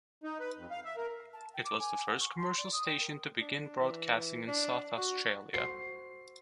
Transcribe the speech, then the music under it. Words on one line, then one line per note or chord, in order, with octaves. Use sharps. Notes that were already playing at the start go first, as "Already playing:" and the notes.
It was the first commercial station to begin broadcasting in South Australia.
D#4
B4
F2
F5
E5
A#4
A5
G5
D6
G#5
F#5
C#6
C6
D5
D#6
G5
A#4
D4
E3
D4
F#4
F#4 C5 C7